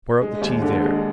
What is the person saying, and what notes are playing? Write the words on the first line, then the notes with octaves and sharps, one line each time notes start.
Pour out the tea there.
G#3
D#2
D3
G#3